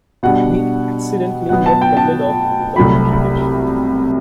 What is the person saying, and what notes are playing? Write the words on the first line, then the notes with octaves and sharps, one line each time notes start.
We accidentally left the lid off the petri dish.
B2 G3 D4 F#5
B2 F#3 B3 F#5
A5
G5
A5
C2 C3 F#3 A3 B5